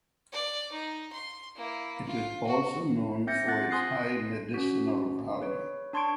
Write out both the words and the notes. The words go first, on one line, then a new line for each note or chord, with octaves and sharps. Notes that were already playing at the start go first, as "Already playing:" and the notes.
It is also known for its high medicinal value.
D5
D#4
C6
A#3 E4
F4
F#4
C4 E5 G6 A6 A#6 C#7
C4 F4 F#5 F#6 A6
G#5 C6 D#6 F#6 A#6 C7
C#4 F#4
G#4 B4 C#5
D4 A5 C6 C#6 G#6 D7